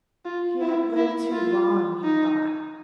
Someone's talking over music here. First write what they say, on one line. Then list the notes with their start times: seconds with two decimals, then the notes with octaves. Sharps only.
He had lived too long, he thought.
0.25 F4
0.61 E4
0.97 E4
1.33 F4
2.04 D#4